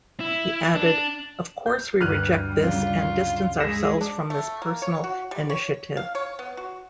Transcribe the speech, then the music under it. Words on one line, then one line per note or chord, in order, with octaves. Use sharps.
He added, Of course we reject this and distance ourselves from this personal initiative.
E4
D4
G6
D2 G2 G3 F6 F#6 D#7
C#3 F4
G#3 G#4 E6 A#6 B6 E7
D4
A3
A#3
C#5
F#4
G3
C#5
F5
C#5
B3
F#4